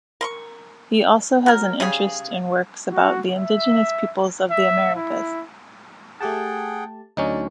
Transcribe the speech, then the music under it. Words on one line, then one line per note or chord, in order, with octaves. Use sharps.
He also has an interest in works about the indigenous peoples of the Americas.
A#4 C6 C#6
F#3 A#4
C#3 G3 G#4 C#5
F#4
E5
E5
E4
A3 G4 G#4 F#5 G5 A5
D2 F#3 C#4 D#4 D5